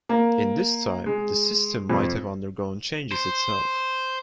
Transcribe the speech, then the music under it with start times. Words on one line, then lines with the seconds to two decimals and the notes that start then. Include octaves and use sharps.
In this time, the system might have undergone changes itself.
0.09 A#3
1.06 G#3
1.90 F2
3.12 C5